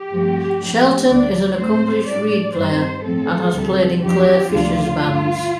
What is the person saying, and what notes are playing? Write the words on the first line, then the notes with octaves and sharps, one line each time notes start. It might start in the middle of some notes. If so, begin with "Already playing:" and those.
Shelton is an accomplished reed player and has played in Clare Fischer's bands.
Already playing: G4
G2 F3 A3 C4
A2 F3 A3 D4
D2 D3 G3 D4 D5
A2 A3 C4 C5
A2 G3 D4 D5
G2 G3 C4 C5
A2 F3 C4 A4
D2 C3 G3
F2 F3 D4 G4
D2 C3 F3 D4 F4
G2 D3 A3